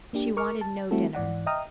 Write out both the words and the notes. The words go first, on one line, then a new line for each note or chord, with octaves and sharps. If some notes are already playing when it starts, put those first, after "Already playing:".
She wanted no dinner.
A#3 D4 G4
A#4 C#6 D6 F6
A5
G3 A3 C4 E4 F#4 A4
G#2 E3 D5 F#5
D#5 E5 G5 A#5 D#6 F6